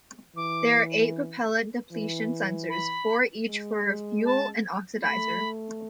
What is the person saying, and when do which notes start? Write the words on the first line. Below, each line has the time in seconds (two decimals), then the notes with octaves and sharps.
There are eight propellant-depletion sensors, four each for fuel and oxidizer.
0.36 E3 D6
1.92 E3
2.70 B5
3.47 G#3
4.25 A5
5.03 A3 B5